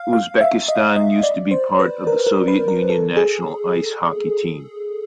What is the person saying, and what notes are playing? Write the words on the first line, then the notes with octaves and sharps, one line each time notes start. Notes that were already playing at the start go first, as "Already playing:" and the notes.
Uzbekistan used to be part of the Soviet Union national ice hockey team.
Already playing: F5
F5
E5
D#5
D#5
D5
C5
B4
A#4
A#4
B4
A#4
A4
G#4